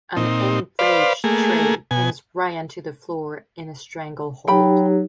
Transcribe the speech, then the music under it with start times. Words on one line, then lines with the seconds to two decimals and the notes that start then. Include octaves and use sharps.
An enraged Trey pins Ryan to the floor in a stranglehold.
0.16 A#2 C4 D#4
0.79 B4 C5 D5 F5
1.24 A3 A#3 G#4
1.91 B2 G#5
4.48 F#3 D#4 G4 G5 B5